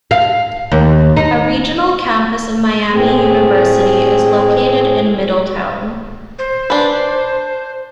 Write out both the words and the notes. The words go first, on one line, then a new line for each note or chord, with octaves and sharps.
A regional campus of Miami University is located in Middletown.
F5
D#2
D#4
A2 C4 G#4
C5
D4 B4